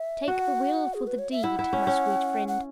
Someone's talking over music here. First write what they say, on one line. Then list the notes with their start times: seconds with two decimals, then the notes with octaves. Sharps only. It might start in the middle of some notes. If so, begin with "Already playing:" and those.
Take the will for the deed, my sweet friend.
Already playing: E5
0.28 F#4 F#5
0.94 G#4
1.07 B4
1.18 C#5
1.31 E5
1.43 E4 F#5
1.59 E4
1.73 C#4
1.87 C#4
2.48 F#5